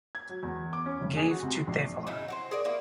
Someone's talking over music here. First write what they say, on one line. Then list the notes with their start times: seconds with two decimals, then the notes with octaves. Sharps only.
Gave to thevar.
0.15 G#6
0.29 F#3
0.43 E2
0.73 D6
0.86 C#4
1.01 F1
1.17 G#4
1.31 F#4
1.43 C3
1.55 C7
1.67 A#1
2.07 C#3 F#3 D#4 E4
2.28 F#4 G4 C5
2.51 G#4 A#4 D5
2.65 A#3 E4 F#4